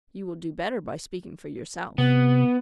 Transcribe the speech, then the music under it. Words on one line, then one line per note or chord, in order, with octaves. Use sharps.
"You will do better by speaking for yourself."
C3 B3